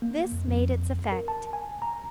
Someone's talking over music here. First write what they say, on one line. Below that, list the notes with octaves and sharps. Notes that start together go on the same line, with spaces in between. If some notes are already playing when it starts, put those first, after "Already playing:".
This made its effect.
A#3
F2
F2
A#4
A5
G#5
A#5